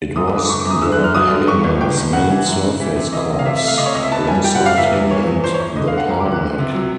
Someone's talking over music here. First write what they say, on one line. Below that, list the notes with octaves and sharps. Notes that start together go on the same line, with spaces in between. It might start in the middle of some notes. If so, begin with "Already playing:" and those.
It was the Haganah's main surface corps, alongside Him and the Palmach.
F#2 D#6
D3 D#6
D6
F#1 C#6
D6
F#2
D#6
D3 E6
F#6
F#2
F6
F#3 D#6
D3
G2 C#6
G1
G1 G5
G1
C#3 F#5
E3
F#2
C#3
E3 E5
C3
E3 D#5
C3
F5
C3 E5
E5
A3
F5
C3 D#5
C#5
C#2 D#5
E5
B3 A5
G3 G#5
G3 G5
F#5
G3
F5
E2 E5
E2
E3 C#5
E2
G1 C5
C#5
G1
D3 D#5
D3 F5
F#5
C#2 A#5
D6
C#2
F#6
C#2
C3
F#3